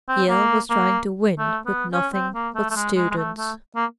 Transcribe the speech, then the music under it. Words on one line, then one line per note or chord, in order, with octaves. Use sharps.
Yale was trying to win with nothing but students.
C4
A#3
A#3
A3
B3
C#4
C4
A#3
A3
A3
G#3
G#3
G#3
A3
A3
A#3